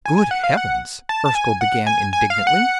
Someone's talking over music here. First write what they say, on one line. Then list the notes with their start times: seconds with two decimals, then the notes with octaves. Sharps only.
"Good heavens!" Erskyll began, indignantly.
0.05 G#5
0.18 G#5
0.31 F#5
0.44 F5
0.57 F#5
1.09 A5
1.25 A5
1.35 G#5
1.61 F#5
1.87 G#5
2.13 G#5
2.30 F5
2.47 F#5